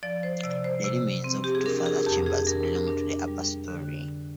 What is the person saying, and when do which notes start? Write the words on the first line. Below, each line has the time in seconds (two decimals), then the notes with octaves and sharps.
The remains of two further chambers belong to the upper storey.
0.03 F3 D5
0.23 C5
0.44 C3 D5
0.64 C5
0.84 C3
1.24 C4
1.44 G4
1.55 G#4
1.66 D4 A#4
1.86 G#4
2.06 F2 G4
2.26 G#4
2.47 D4 A#4
2.87 D4
3.28 G3
3.68 D3